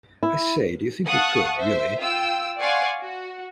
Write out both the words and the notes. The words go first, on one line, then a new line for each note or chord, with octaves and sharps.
I say, do you think you could, really?
E4
F5 F#5 A5 C#6 D#6 F#6
C5 E5
F4 G5 E6
D5 F5 F#5 G#5 C6 C#6
F#4